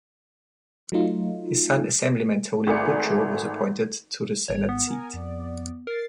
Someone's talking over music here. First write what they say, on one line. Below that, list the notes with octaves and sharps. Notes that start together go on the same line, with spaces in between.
His son Assemblyman Tony Bucco was appointed to the Senate seat.
F#3 A3 D#4 F4
G#1 A3 G#4 D5 C#7
G#1 C#5
B3
A#4 G#5
F2 D5
A#4 A6 C7